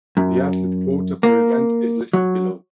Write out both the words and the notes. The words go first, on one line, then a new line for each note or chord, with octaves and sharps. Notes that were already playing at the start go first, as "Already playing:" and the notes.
The athlete quota per event is listed below.
F#2
A#3
F#3